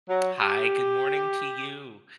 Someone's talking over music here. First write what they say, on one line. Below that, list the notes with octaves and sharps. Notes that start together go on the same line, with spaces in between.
Hi, good morning to you.
F#3
G4